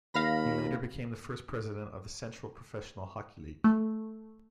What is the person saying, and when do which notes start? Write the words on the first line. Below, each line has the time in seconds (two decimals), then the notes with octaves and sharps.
He later became the first president of the Central Professional Hockey League.
0.14 D#2 F5 B5 F6 A#6
3.64 A3